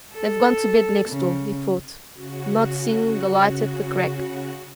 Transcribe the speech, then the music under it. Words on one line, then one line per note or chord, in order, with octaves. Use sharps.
"They've gone to bed next door," he thought, not seeing the light at the crack.
A4
C#3
C#3 F#4